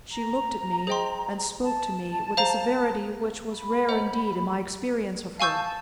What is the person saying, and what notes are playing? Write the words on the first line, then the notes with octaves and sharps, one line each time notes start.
She looked at me, and spoke to me with a severity which was rare indeed in my experience of her.
A#5
G#4 C5 D#5 G5 C6
A5
C5 F5 A#5
B5
C5 D#5 F#5 A#5
F5 G#5 A5 C#6 E6 G6
A5